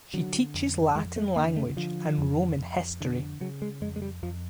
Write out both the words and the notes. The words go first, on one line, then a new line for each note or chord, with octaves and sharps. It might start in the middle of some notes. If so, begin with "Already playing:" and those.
She teaches Latin language and Roman history.
D3 F#3
F2
F2 G#3
A3
D3 A#3
A3
D3 F3
F2
F2
D3
C#3 F#3
G#3
F2 G#3
G#3
G3
F2 F3